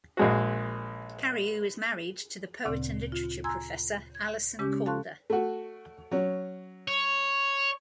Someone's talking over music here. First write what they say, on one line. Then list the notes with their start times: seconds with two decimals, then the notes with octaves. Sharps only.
Cariou is married to the poet and literature professor Alison Calder.
0.17 A#1 G#3 F#4
2.65 D2 A#2 C#3 C4 D5
3.12 F4
3.44 G#5 A#5 C6 E6 G#6
4.15 G#6
4.59 C#3 G#3 C#4 G4 D6 G6
4.86 A4 F5 A5 C6 C#6 F#6
5.30 A3 F#4
6.12 F#3 C#4
6.88 C#5